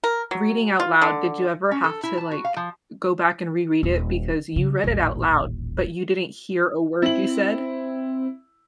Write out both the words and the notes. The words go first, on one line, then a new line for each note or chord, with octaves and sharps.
reading out loud, did you ever have to, like, go back and reread it, because you read it out loud, but you didn't hear a word you said?
A#4
F#3
F4
D3
C#4
A4
E4
A5
F#4
F5
F3
D#1
C#3
D#1 A1
C4 E4 F#7